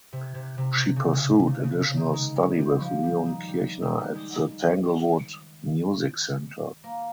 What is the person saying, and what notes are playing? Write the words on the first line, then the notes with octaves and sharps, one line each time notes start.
She pursued additional study with Leon Kirchner at the Tanglewood Music Center.
C3
C3
C3
C#3
C#3
C3
C#3
C#3
C#3
D#3
G#3
G#3
G3
F3
G3
D#3
G3
D#3
G3
G#3
A#3